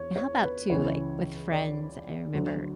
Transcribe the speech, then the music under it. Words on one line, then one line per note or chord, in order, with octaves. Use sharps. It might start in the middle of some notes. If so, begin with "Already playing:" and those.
And, how about too, like, with friends? I remember,
Already playing: E2 C#5
C#5
B4
C#2 C#3 E3 C#5
D5
D2 D3 F#3